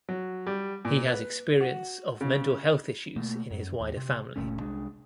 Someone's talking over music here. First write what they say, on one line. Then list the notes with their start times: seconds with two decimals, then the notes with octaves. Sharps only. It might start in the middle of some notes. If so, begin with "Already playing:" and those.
He has experience of mental health issues in his wider family.
0.09 F#3
0.47 G3
0.85 A#2
1.06 B4
1.61 F#4
2.21 C#3
3.16 B2 A3 A#3
3.51 F#2
3.80 D#2
3.97 C3
4.36 F#1 A#2 A3 C#4
4.60 C2 G#3 D4